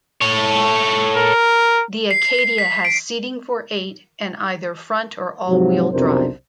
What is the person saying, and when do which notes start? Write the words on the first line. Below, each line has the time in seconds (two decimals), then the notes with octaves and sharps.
The Acadia has seating for eight and either front or all-wheel drive.
0.21 A4 C#5
1.16 A#4
2.11 C7
2.39 C7
2.58 B6
2.85 D7
5.48 G#2 C3 F3 F#3
5.92 B1 F2 C3 D4 A#4 C5